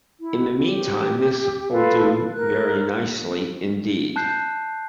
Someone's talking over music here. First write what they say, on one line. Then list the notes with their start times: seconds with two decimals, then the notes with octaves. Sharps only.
In the meantime, this'll do very nicely indeed.
0.20 E4
0.60 G4
1.71 F4 A4 B4 F5
2.33 A#4 F#6
4.16 A5 F#6 G6 C7